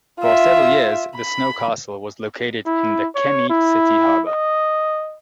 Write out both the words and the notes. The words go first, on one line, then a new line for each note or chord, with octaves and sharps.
For several years the snowcastle was located in the Kemi city harbor.
F4 E5
B5
E4
C#5
E4
D#5